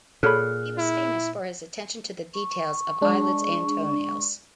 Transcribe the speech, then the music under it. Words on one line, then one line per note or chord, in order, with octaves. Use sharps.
He was famous for his attention to the details of eyelids and toenails.
A#2 G#4 A4 C#5 B5 F6 F#6
E4
C#6
G#3 D4